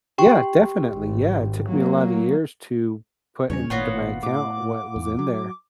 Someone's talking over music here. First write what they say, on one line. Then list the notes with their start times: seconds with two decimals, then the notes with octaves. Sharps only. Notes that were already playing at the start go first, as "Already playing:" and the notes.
Yeah, definitely, yeah, it took me a lotta years to put into my account what was in there,
0.18 G4 G5 C#6
0.93 G#1
1.68 F#3 A#3
3.50 E2 C#3 G3 C#4 C#5
3.70 G#1 A#2 B3 F4 F#4 C#5
4.23 A2 D6
4.96 E2
5.19 F#3